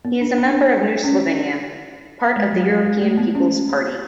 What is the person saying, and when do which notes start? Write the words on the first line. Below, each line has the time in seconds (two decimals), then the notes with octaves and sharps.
He is a member of New Slovenia, part of the European People's Party.
0.05 B3
0.21 D4
0.38 D4
1.04 C#4
2.36 G#3
2.53 F#3
2.69 G#3
2.86 G#3
3.01 A3
3.18 B3
3.35 C#4